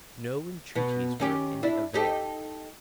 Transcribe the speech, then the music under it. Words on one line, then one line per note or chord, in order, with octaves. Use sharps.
No entreaties were of any avail.
B2 B3
D#3 C#4 G4
D4 E4
D#4 G4 A4